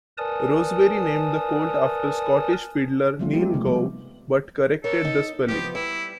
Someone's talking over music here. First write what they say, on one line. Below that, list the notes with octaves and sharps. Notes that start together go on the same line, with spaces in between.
Rosebery named the colt after the Scottish fiddler Niel Gow but "corrected" the spelling.
A#4 B4 D5 G#5 A5 D#6
F3 G3 A3 C4 F4
G#3 B3 D#4 F4 G4
C3 A3 A#3
C3 F3 G3 B3
A4 A#4 C#5
D#4
F3 B3 G4
G3 E4